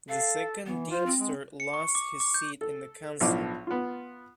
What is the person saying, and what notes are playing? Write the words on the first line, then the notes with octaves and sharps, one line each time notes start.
The Second Deemster lost his seat in the Council.
A4 F5
E3 B3
F4 C5
C4
G#3
C#7
C#6
D6
D6
G6
A4
B1 A2 F3 D4 D#5 D6
B3 F4